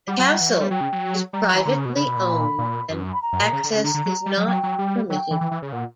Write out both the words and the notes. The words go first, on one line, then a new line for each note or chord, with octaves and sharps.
The castle is privately owned and access is not permitted.
G3 F#5
F#3
G3
E3
F#3
G3
F#3 G5
C#3
F#3
G3 A#5
F#3
E3
D3
C#3
B2
C#3 B5
B2
A#2
A#2
F#2
B5
A#5
F#2
A#2
C#3
D3
C#3
D3 A#5
D3
F#3
G3
F#3
F#3 G5
F#3
G3
F#3 G5
E3
E3
E3
C#3
A#2 F#5